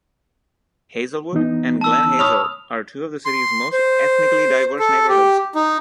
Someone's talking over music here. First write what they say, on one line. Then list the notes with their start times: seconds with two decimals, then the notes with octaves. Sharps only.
Hazelwood and Glen Hazel are two of the city's most ethnically-diverse neighborhoods.
1.33 E3 B3 D#4
1.81 A5 E6
2.19 C#5 B5 C#6 D#6 F6 F7
3.25 C6
3.73 C5
4.79 A4
5.09 G4
5.55 D#4